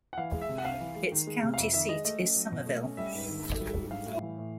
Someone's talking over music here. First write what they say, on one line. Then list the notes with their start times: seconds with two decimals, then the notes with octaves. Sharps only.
Its county seat is Somerville.
0.13 F#5
0.18 E3 F5
0.34 G#3
0.42 E5
0.49 C3
0.58 F#5
0.65 C2 F5
0.80 E3
0.96 G#3
1.12 D#3
1.27 G#3
1.42 C3
1.54 F5
1.58 F2 E5
1.73 D#3 E5
1.89 G#3 D#5
2.05 A3 D#5
2.20 C#4
2.36 F#3
2.52 B2
2.66 A3
2.83 C#4
2.97 G3 E5
3.13 G#2
3.29 D#3
3.45 G#2
3.60 G3
3.75 G#2
3.91 G3 F5
4.06 A2
4.22 E3
4.38 A2